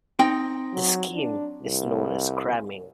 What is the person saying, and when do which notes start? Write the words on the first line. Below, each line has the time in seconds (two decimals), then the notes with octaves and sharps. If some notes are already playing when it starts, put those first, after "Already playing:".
The scheme is known as 'cramming'.
0.19 C4 D#4 G5
0.73 F#3
1.14 D4
1.62 C2